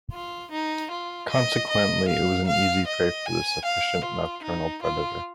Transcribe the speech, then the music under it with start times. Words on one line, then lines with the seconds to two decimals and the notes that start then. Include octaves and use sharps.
Consequently, it was an easy prey for this efficient, nocturnal predator.
0.12 F4
0.51 D#4
0.91 F4
1.30 D#5
1.69 D#5
2.08 F5
2.48 F5
2.87 D#5
3.26 G#5
3.65 F5
4.05 F4
4.44 D#4
4.83 F4